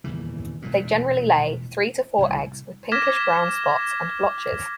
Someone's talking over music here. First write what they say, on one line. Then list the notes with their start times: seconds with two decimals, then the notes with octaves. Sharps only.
They generally lay three to four eggs with pinkish brown spots and blotches.
0.04 D#1 E2 C#3 E3
0.62 E1 E2 A#2
2.18 C2 A2 E3
2.92 D6 F6 G#6 A#6 B6 E7